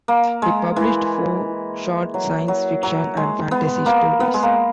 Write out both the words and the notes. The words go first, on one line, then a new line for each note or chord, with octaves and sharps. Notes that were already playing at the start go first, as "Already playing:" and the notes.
He published four short science fiction and fantasy stories.
A#3
G#3
E3
F#3
F#3
F#3
G#3
B3
A#3
B3
G#3
A#3